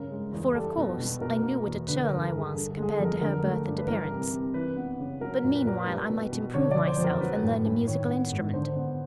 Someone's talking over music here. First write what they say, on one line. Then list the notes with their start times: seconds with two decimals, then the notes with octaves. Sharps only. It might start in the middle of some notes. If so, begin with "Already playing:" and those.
For, of course, I knew what a churl I was compared to her birth and appearance; but meanwhile I might improve myself and learn a musical instrument.
Already playing: G2 C#3 A#4
0.11 G#3
0.33 E2
0.55 G3 A4
0.77 B2
0.99 B2
1.21 B2 A#4
1.44 A#3
1.66 E2
1.88 D3 B4
2.05 A#4
2.11 G2
2.21 A4
2.32 G2
2.38 G#4
2.54 D3 A4
2.71 A4
2.77 G#3
2.82 G#4
2.89 A4
2.99 F2
3.05 A#4
3.21 D3 A#4
3.43 A3
3.66 G2
3.77 B4
3.87 E3 A#4
4.10 C3
4.32 C3
4.54 E3 B4
4.76 B3
4.99 C#3
5.21 F#3 A#4
5.44 A#2
5.55 B4
5.65 A#2 A#4
5.79 B4
5.87 G3
6.10 B2
6.32 B2
6.54 D3 C#5
6.71 F2 D5
6.87 C5
6.98 F2
7.04 A#4
7.20 F#3 B4
7.43 A2
7.65 A2
7.87 D#3 C#5
8.10 B3
8.32 G#2
8.54 D3 C5
8.76 B3